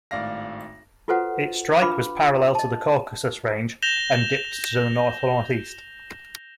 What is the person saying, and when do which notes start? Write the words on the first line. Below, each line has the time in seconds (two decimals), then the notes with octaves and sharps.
Its strike was parallel to the Caucasus range and dipped to the north-northeast.
0.11 G#1 A2 D5 F5 A#6
1.08 F4 F#4 A4 B4 C5 F#5
1.81 D4 F4 B4 F5 B5 D6
2.55 D#5 A5
3.82 G6 A#6 E7 F7 G7